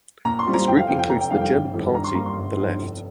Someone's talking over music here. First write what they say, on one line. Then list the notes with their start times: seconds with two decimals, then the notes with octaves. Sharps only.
This group includes the German party The Left.
0.25 A#2 A#5
0.39 C6
0.47 G3 C4 F4
0.54 A#5
0.67 F1 G5
0.77 F5
0.88 F2 C3 G5
0.99 G5
1.09 F1 A#5
1.20 G5
1.30 F2 D#3 G3 F5
1.41 G5
1.51 G1
1.73 F2 D#3 G3
1.94 G2 A#5
2.04 C6
2.15 G3 A#3 A#5
2.26 C6
2.37 G1
2.58 G2 F3 D#4
2.79 F1